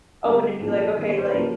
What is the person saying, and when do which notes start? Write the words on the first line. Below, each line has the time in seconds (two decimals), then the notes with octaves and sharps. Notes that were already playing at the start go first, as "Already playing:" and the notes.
open to be like, "Okay, like,
0.24 D3 G3 B3 G4
0.60 A#2 F3 A#3 C#4 G#4
0.79 A4
0.97 D#3 G3 B3
1.09 C#5
1.17 C5
1.25 B4
1.33 C#3 F3 A#3 C#4 A#4